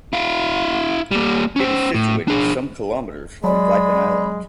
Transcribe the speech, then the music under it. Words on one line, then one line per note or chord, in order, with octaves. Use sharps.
It is situated some kilometres from Vypin island.
E4 F5
G3 A#3
C#4 C5
A2
D4 G#4
F#3 G#3 D5 B5